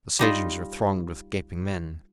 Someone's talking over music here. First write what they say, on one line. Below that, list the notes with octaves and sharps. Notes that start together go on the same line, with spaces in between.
The stagings were thronged with gaping men.
G3 D#4 F4